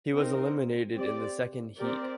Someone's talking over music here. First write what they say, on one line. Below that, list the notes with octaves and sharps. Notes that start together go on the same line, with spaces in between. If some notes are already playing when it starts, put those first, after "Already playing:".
He was eliminated in the second heat.
C4 D#4 A#4
C4 G4 D5
C4 G4 A#4 D5